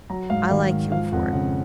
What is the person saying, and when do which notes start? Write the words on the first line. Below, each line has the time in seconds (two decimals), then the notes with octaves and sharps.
I like him for it.'
0.10 F#3 A#5
0.30 G#2 F5
0.51 D#3 F5
0.71 G#2
0.91 F3 F5
1.12 F2 F#5
1.33 C#3 F#5